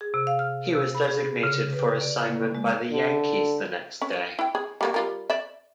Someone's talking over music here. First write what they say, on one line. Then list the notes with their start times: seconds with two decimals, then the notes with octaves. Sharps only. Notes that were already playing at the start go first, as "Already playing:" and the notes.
He was designated for assignment by the Yankees the next day.
0.01 G#4
0.14 C3
0.27 F5
0.39 F6
0.75 C3
0.95 B5
1.08 G#4
1.43 C#3
1.73 B4
2.01 D5
2.25 A#3
2.55 G#3
2.90 D3
4.01 C#4
4.39 E4 G5
4.55 G#4
4.81 G3 A#3 F#4
4.94 G3 F4 A#4
5.30 D5 E5